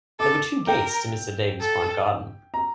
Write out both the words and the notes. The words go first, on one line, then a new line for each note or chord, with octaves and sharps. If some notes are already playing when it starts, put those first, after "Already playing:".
There were two gates to Mr. Davey's front garden.
A4 D6
A#4 G5
A4
A#5